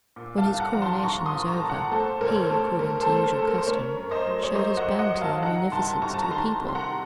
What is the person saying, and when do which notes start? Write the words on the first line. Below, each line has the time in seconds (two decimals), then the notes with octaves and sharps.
When his coronation was over, he, according to usual custom, showed his bounty and munificence to the people.
0.16 A#2
0.38 F5 A5
0.45 C2
0.60 F#5 A#5
0.73 F3 A#5
0.82 A5 C6
1.04 C2 A#5 C#6
1.26 C6 D#6
1.33 A#2
1.48 A#5 C#6
1.60 A#2 A5
1.69 F#5 A#5
1.91 A3 A4 C5
2.21 C#2 A#4
2.28 C#5
2.36 C5
2.43 A#4
2.50 A3 A4
2.79 A3 A#4
3.01 A4 C5
3.09 A3
3.24 A#4
3.38 A3 A4
3.48 A#4
3.58 C5
3.67 A3 A#4 C#5
3.97 F#2
4.11 C5 D#5
4.26 F#3
4.43 C#5
4.55 F#3 C5 D#5
4.77 D#5 F#5
4.85 F#3
4.99 D#5 F#5
5.14 F#3
5.21 F5 A5
5.43 D#3 F#5 A#5
5.72 C2 A5 C6
6.02 C2 A#5 C#6
6.14 A5
6.23 A#5
6.30 D#3 A5 C6
6.61 C3
6.69 C6
6.75 F#5 A#5